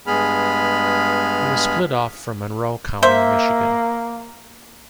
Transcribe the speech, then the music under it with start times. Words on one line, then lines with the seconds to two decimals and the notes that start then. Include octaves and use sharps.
It was split off from Monroe County, Michigan.
0.07 G2 G#3 B3 G#4 B5 F6
3.03 A#3 C5 E5